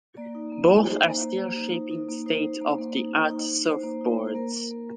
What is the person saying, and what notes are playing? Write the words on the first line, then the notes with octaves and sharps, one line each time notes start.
Both are still shaping state of the art surfboards.
A#3 D5
D#4
A#3
D#4
D#4 C5
A#3
A#3
A#3
D#4
D#4
D#4
A#3
D#4 C5
D#4
A#3
A#3
D#4
A#3
D#4
D#4
D#4 C5
A#3
D#4
A#3
C5
A#3 A#4
A#3
A#3